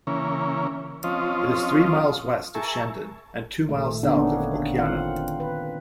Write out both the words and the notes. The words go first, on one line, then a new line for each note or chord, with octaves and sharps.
It is three miles west of Shandon and two miles south of Okeana.
C#3 E3 A#3 C#4
F3 C4 C#4 F4 D#5
G#4 A#4 E5 A5 C#6
A#2 D#3 A3
D3 B3 C4 D4 D#4
A#3 C#4 D4
D#3 C4 F4 F5 F#5
B4